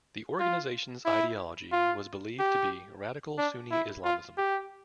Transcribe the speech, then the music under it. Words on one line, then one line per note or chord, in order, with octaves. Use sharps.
The organization's ideology was believed to be radical Sunni Islamism.
F4
E4
F4
G4
D4
E4
F4
G4